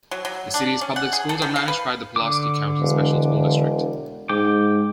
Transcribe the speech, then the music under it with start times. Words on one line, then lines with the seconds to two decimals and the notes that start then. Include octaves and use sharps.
The city's public schools are managed by the Pulaski County Special School District.
0.11 F#3
0.25 F#3
0.54 D4
0.81 C#4
0.96 F#5
1.13 G#4
1.29 A4
1.42 D#3
1.56 F5
1.68 B4
2.16 D3 D6
2.79 E1
4.29 G#2 G5 D6